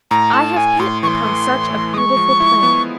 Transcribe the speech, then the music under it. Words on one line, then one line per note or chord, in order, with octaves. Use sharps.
'I have hit upon such a beautiful plan.
A2 A#5
A2 A5
A2 G#5
A2 C6
E3 C6 C#6
A3
A2
A3
G#3 C#6 D#6
F3
E4
B3